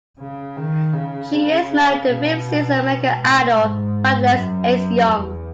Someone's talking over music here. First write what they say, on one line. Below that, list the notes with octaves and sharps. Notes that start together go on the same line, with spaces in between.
She is married to fifth season "American Idol" finalist Ace Young.
C#3
D#3
C#3
B2
A2
G#2
F#2
E2